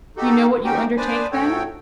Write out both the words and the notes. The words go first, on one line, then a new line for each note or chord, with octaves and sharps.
"You know what you undertake, then?"
D#4 F#4 G4 A4
C#4 D#4 F#4 G4 G5
B3 D4 B4 C5 D5 G#5
G#2 A3 F#4 A4 C#5 G5